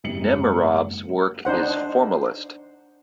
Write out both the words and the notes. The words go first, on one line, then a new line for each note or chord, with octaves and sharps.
Nemerov's work is formalist.
F#1 G#2 C3 G4 C#7 F#7
D4 D#4 C5 F#5